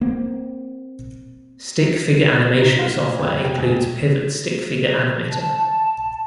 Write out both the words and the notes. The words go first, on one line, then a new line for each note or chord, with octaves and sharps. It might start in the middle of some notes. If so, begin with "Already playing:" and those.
Stick figure animation software includes Pivot Stickfigure Animator.
A#3 C4
D#4
F4
A#2
F2
G5
E1
A5